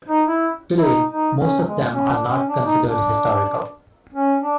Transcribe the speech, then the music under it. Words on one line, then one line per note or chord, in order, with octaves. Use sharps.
Today, most of them are not considered historical.
D#4
E4
E4
D#4
D#4
C#4
G#3
C#4
D4
C#4
D4
D#4
D4
C#4
D4